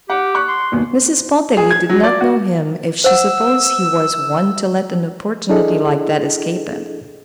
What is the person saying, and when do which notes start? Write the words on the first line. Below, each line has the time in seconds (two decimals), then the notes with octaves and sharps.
Mrs. Pontellier did not know him if she supposed he was one to let an opportunity like that escape him.
0.10 G4 F#5
0.35 C#6 F#6
0.48 C6
0.72 D#1 D#2 B2
1.57 G#4
1.71 G#6
1.89 F#3
2.03 D5
2.21 F#4
3.04 C5 F#5 E6
5.49 D4 E4 G#4 A4 D#5